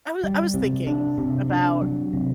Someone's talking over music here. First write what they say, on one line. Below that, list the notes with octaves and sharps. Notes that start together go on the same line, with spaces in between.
I wa I was thinking about
G3
C3
D4
C3
D4
F#3
C3